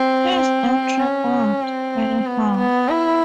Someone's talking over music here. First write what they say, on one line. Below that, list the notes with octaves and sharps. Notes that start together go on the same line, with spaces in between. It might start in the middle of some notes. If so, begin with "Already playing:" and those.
He's no trick mutt, anyhow.
Already playing: C4
C4
C#4
C4
B3
B3
E4